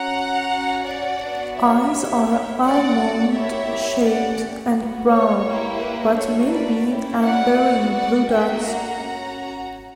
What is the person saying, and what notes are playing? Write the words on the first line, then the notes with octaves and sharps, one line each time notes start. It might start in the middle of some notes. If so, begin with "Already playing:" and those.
Eyes are almond-shaped and brown but may be amber in blue dogs.
Already playing: C#4 F#4 F#5 A#5
C#4 F#4
D5 F#5
B3 D4 F#4
C#5 E5
B3 E4 G4
C#4 F#4 D5 F#5
A#3 E4 G4 C#5 E5
C#4 G4 D5 F#5
B3 F#4
C#5
A#3 E4 G4
B4
A#3 D4 F#4 C#5
B4 D5
C#4 E4 G4
D5 F#5
B3 F#4
D5 F#5
A#3 D4 F#4 E5 G5
F#5 A#5
C#4 F#4